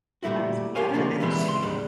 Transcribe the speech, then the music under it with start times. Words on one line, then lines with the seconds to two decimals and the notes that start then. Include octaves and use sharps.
I was better than she
0.23 A#2 G3 A3 E4 F#4
0.75 G4 A#4 C5 C#5 F5 G#5
0.94 A#2 C#3 F3 G#3 A#3
1.20 E3 G3 G#3 B3 C4 E4
1.49 C#2 C6
1.62 D#2 A2 G3 G#3 D4